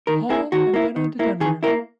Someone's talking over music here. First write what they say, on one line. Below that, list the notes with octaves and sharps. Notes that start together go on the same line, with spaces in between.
Paul and then on to Denver.
D#3 A#4
A#3 E4 G#4
D#3 F#4
A#3 E4
D#3
A#3 E4
D#3 G#4
A#3 E4 A#4